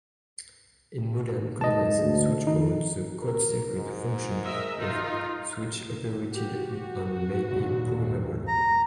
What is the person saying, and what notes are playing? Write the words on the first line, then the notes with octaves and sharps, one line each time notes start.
In modern cordless switchboards, the cord-circuit function is switch operated and may be programmable.
G#2 D#5 A5
D2
D#3 D#4
A#4
G#2
A#4 D#5 E5
D#4 F4
F#4 G4
F#4
D#2 A#2
A#5